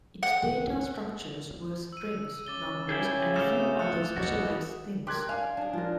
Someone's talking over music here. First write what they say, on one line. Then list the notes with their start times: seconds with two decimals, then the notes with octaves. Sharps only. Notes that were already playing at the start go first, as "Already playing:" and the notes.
Its data structures were strings, numbers and a few other specialized things.
0.23 F#5
1.92 E6 D#7
2.47 C#3 D6 A6 G7
2.89 C#3 E4 G4 G#4
3.36 A3 F4 F#4 D#6 G6 E7
3.79 F#6 A6 C#7
4.16 B2 F#4
5.07 G4 A#4 C6 F#6 G#6
5.29 D4 F5 G#5
5.57 D4 G#4
5.73 F3 D4 F4 A#4